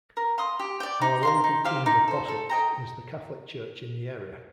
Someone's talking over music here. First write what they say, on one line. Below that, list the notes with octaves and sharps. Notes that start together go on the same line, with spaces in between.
Our Lady Queen of Apostles is the Catholic Church in the area.
A#4
F5 C6 D#6
G4
D5 G5
D#4
A#4 F5 C6
D#4
G4 C5 F5
D#4
A4 C5
A4
D#5 G5 A#5